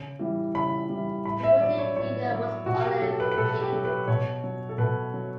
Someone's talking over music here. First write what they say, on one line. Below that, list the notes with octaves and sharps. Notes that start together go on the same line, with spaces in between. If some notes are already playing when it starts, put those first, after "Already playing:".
Deputy leader was Ole Wiig.
Already playing: C#3
E3 G3
C#3 B5
E3 G3
A2 B5
E5
F#3 D5
C#5
A2 C#5
F#3
B2 F#4
G4
F#3 A4
B4
B4
B2 A4
G4
F#3
B4
B2 C#5
F#3
A4
B2 B4
F#3